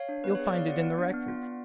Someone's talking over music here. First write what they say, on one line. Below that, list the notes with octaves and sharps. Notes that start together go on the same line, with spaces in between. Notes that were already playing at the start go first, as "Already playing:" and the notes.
You'll find it in the records.
Already playing: C#5 F5
D4
B3 B4
G#4 C#5
D5
B3 F5
F4 D5 F#5
B3
D4
B3
F4
B3